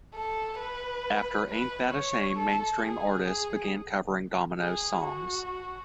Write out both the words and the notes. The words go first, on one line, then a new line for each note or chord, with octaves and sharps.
After "Ain't That a Shame", mainstream artists began covering Domino's songs.
A4
B4
B4
C#5
A4
G#4
G#4
G#4
F#4